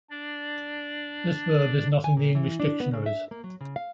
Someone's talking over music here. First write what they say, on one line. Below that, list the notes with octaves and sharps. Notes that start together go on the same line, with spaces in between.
This verb is not in the English dictionaries.
D4 D5
G#5
A#2
E3
D4
B3
C#3
E5
A#3
F#3
C#3
F5